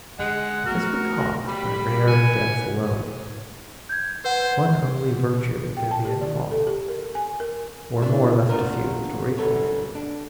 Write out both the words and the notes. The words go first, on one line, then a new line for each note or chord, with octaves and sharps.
If this were caused by rare and dense alone, One only virtue would there be in all Or more or less diffused, or equally.
D3 G#3 F#5
A3 B3 F#4 A#4
G3 B5
C3 E3 F#5 G#5
G6 G#6
B4 C5 F#5
G5
A5
G4
D5
A4
G4
A#4
G#5
A#4
E3 D4 E4 E5
A3 C4 D4 F4 F#4 A#4
F#2 D3 G3 A4 B4 C#5
D4